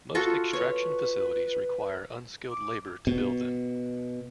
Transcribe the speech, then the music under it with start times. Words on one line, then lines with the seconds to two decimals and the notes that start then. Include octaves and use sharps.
Most extraction facilities require unskilled labor to build them.
0.15 F4 F#4 A4
0.53 B4 C#5
2.50 D6
3.07 B2